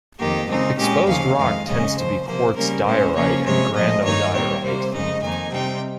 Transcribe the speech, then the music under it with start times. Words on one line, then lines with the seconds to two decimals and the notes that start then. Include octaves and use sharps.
Exposed rock tends to be quartz diorite and granodiorite.
0.19 F2 D#3 A#3 G4
0.48 C#3 G#3 C4 D#4
0.78 A#2 G#3 C#4 G4
1.07 D#2 C#3 F3 F5
1.37 F2 D#3 G#3 F5
1.67 F2 C#3 G#3 C#4 D#5
1.97 D#2 C#3 F3 C5
2.27 C3 F3 A#3 C5
2.56 C#3 G3 A#3 C#4 A#4
2.86 A#2 G#3 C#4 C5
3.15 C#3 F3 A#3 C#4 C#5
3.45 C3 F3 G#3 C#5
3.74 A#2 F3 G#3 D#5
4.04 G2 D#3 A#3 D#4 C#5
4.34 A#2 G3 C4 C#5
4.63 C3 G3 A#3 C5
4.92 F2 C#3 G#3 D#4 D#5
5.22 F2 D#3 A#3 D#4 G#5
5.51 C3 G3 C4 D#4 G5